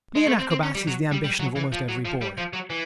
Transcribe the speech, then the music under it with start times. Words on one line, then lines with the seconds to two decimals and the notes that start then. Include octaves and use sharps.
To be an acrobat is the ambition of almost every boy.
0.15 G#3
0.27 A3
0.39 C4
0.50 C4
0.63 C#4
0.75 G3
0.87 F#3
1.12 G3
1.24 G3
1.40 F#3
1.56 E3
1.72 F3
1.89 F#3
2.05 F3
2.21 G3
2.38 F3
2.53 F#3
2.70 E3